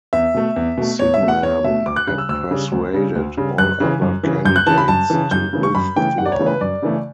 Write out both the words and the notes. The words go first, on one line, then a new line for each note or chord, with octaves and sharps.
Sydenham had persuaded all other candidates to withdraw.
E2 E5
B2 A3
E2
B2 A3
E2 C#5
E5
B2 A3
F#5
E2 C#5
B2 A3 E5
D2 D6
F#6
C#3 G3 F#6
E6
D2 E6
C#3 G3
D2
C#3 G3
D2
C#3 G3
F#2 F#6
C#3 E3
F#2
C#3 E3
F#2 G6
F#6
C#3 E3 A5
B5
F#2 A5
C#3 E3
F#2 G6
C#3 E3 A3
C#6
F#2 B5
C#3 E3 A3 G5
F#2 F#5
D5
C#5
C#3 E3 A3
B4
F#2 D5
C#3 E3 A3